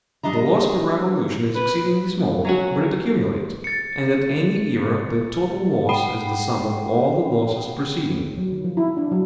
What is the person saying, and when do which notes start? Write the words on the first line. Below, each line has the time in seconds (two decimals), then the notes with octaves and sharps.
The loss per revolution is exceedingly small, but it accumulates, and at any era the total loss is the sum of all the losses preceding it.
0.23 G3 D4 D#5 A#5
1.55 B4
2.45 F#3 C#4 F#4
3.64 A6 C#7
5.89 F#5 G5 B5 C7
8.37 F#3
8.52 D#3
8.64 F3
8.77 E4
8.97 D4
9.11 F#3